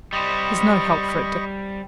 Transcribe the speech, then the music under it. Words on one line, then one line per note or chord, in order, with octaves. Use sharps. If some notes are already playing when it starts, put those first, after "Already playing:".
There's no help for it, Dick.
G3 C4 D#5 B5 C#6